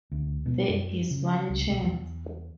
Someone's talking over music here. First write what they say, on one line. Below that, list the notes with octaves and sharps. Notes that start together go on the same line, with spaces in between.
There is one chance.
D2
B2
F#2
C#3
C#2
B1
E2